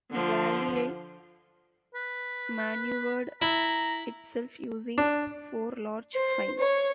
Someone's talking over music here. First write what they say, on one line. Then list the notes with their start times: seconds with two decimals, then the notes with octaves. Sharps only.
The Walleye maneuvered itself using four large fins.
0.11 D3 F3
1.95 B4
3.42 E4 A#5
4.98 D4
6.14 C5
6.59 C#5